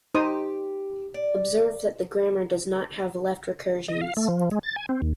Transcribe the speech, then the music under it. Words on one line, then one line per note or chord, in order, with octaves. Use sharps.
Observe that the grammar does not have left recursions.
D#4 G4 C5 D#6
D5
D#5
F5
A3
F3
G#3
A6
G#5
C4
D#2